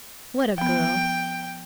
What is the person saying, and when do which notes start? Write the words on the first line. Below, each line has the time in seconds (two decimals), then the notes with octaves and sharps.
What a girl!
0.58 F3 B3 G5